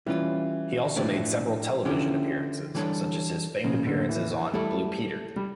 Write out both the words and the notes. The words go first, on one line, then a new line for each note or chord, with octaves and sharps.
He also made several television appearances, such as his famed appearances on "Blue Peter".
E3 G3 C#4 F4
A2 F3 A3 D4 G4
D3 F3 C#4 E4 G4
E3 G3 D4 A4 C#5
A2 C#3 F3 A#3
D3
E3
E3
G3 A3 E4 A4
G3